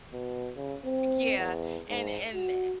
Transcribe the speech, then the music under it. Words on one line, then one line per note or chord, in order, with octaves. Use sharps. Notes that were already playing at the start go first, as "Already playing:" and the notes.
Yeah. And and e
B2
C#3
C4
E2
G#2
F#4